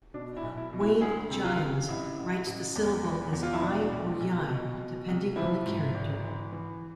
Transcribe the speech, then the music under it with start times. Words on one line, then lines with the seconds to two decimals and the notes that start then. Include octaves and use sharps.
Wade-Giles writes the syllable as "i" or "yi" depending on the character.
0.14 B2 D4
0.37 E4
0.43 B1
0.58 E4
0.73 B2
0.80 E4
1.01 D2 G#4
1.30 C3
1.44 F4
1.60 C3
1.88 A1 E4
2.18 A1
2.46 A1
2.76 E2
3.04 E3
3.33 E2
3.43 F4
3.53 E4
3.62 B2 D4
3.92 B1
4.20 B1
4.49 B2
4.78 B2
5.08 C2
5.36 F3 E4
5.66 G#2
5.94 G#1
6.24 E3
6.52 E3